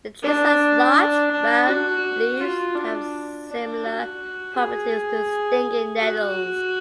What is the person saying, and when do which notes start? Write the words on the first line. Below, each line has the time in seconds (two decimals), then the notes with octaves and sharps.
The tree has large, round leaves that have similar properties to stinging nettles.
0.23 D4
0.96 D4
1.31 D4
1.68 F#4
2.40 F4
2.75 D4
3.48 D4
3.84 F#4
4.56 G#4
6.00 F#4